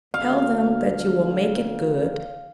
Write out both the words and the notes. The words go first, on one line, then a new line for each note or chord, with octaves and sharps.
Tell them that you will make it good.
D2 F5